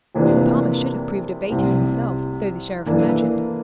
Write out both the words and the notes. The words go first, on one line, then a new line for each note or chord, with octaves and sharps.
The palmer should have proved a bait in himself, so the Sheriff imagined.
F2 C3 E3 A#3 D4
C2 C3 G3
E3 A#3 D4 A4